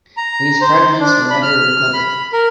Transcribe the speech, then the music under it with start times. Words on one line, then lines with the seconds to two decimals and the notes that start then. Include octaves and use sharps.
These fragments were never recovered.
0.17 A#5
0.61 C5
1.00 D4
1.30 B5
1.42 F6
1.94 B5
2.33 A#4